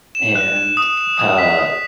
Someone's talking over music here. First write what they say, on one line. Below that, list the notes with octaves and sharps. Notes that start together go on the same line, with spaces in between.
and, uh
E7
F#6
E7
D#6
E7
D#6
B6
D#6